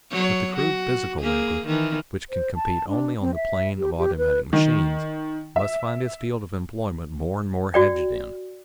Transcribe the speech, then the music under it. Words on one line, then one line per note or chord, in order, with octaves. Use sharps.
But the crude physical labor which can compete only on the plane of automatic machines, must find its field of employment more and more hedged in.
F#3 C#5
F#4
A#3 G#4
D#3 E3
C5
A5
D4
C4
E5
G4
G4
B4
D#3
E5
F#4 D5 G5